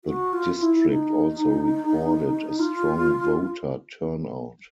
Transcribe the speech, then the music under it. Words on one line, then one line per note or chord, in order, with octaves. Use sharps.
The district also recorded a strong voter turnout.
F#4
F4
E4
D#4
F4